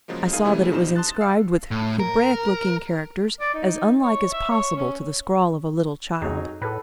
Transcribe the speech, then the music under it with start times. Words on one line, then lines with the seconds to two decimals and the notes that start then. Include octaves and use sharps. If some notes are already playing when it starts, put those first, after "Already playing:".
I saw that it was inscribed with Hebraic-looking characters as unlike as possible to the scrawl of a little child.
0.08 C#3 F3 F#3 G#3 A#3
0.33 E2 D#4 G#4 A#4 F5 D#7
0.44 C3 E3 G3 A3 C#4 E4
0.71 A#1 B2 G3 D#4 C5 E7
0.95 A5 C6 D#6 F#6 A6
1.21 F5 E6 C7 C#7
1.71 A2
2.00 A#4
3.41 D5
3.54 D#4
4.03 C#5
4.33 E5
4.50 C#5
4.77 C#4
6.22 F2 F#3 D#4 G#4
6.62 A2 A4 B4